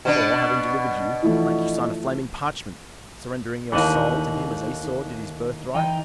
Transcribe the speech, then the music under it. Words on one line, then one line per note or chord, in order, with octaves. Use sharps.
"Or, having delivered you, make you sign a flaming parchment, surrendering your soul to him as Esau did his birth-right?"
B2 B3 D4
E3 F3 A3
D#2 E3 A3 D4 D#4
E3 D#4 G5